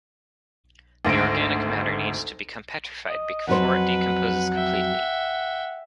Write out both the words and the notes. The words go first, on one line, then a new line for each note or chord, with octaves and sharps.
The organic matter needs to become petrified before it decomposes completely.
G#1 D2 A#6 D7
D#5
F2 F#3 B4 C5 F#5
E5 G5